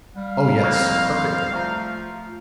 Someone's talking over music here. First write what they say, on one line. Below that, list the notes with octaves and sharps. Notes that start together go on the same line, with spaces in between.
"Oh, yes--perfectly."
G3 F5
F2 F#3 A#3 C4 C5
F3 A3 A#5